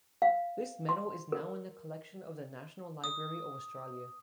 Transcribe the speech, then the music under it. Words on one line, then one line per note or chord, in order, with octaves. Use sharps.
This medal is now in the collection of the National Library of Australia.
F5
C6
A#4
D#6